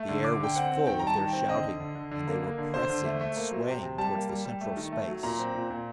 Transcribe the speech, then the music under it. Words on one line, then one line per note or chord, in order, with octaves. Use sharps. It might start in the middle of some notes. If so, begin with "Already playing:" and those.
The air was full of their shouting, and they were pressing and swaying towards the central space.
Already playing: A3
D3
D3 D6
D3 G5
C4 F#5
C4
D#3 G5
G3 A#5
A5
D#3
C4 G5
D3 D#5
D3
D3
D3
D3
A#3
A#3
D3
D3 C5
D3
A3
A3
A#3
F#3
C3
C3
G3 A5
A#3
G3
G3
A3
D#3
A3
F#3
A#2 A#5
C4
A#2
A#2